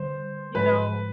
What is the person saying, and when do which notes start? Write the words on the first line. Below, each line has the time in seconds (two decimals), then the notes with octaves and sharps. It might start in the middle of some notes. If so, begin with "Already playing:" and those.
you know?
Already playing: D3 G3 C5
0.55 G#2 F3 G#3 B4